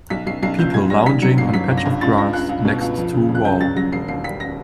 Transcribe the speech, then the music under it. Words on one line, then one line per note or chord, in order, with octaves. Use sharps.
People lounging on a patch of grass next to a wall.
B1 B6
B1 C7
B1 C7
A#2 G6
B1 G#6
G3 A#6
D#3 B6
F#3 C#7
G1 C7
F#3 B6
G1
A#6
G2
C#2 A6
C#2 A#6
C#2 F#6
C#2
B2
C#2
F2
C#3
F2
F#6
C#3 G6
F#3 A6
F#3 A#6
E1 C7
D#2 C7
G3 B6
A#6